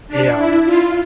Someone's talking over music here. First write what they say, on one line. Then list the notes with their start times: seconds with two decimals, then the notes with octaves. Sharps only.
a, um, s
0.08 D4
0.37 E4
0.65 F4